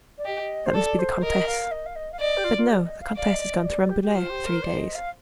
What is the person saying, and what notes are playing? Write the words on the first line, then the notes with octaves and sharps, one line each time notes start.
That must be the comtesse; but, no, the comtesse is gone to Rambouillet for three days.
D5
G4 D#5
C5
A4 D5
C5
A#4 D#5
F5
D#5
F5
D#5
F5
D5 D#5
G4
F4
F4
G4
D5
D#5
F5
D5 F5
D#5
D#5
D5
G4
G4
F4 C5
G4
A#4
D5
D#5
F5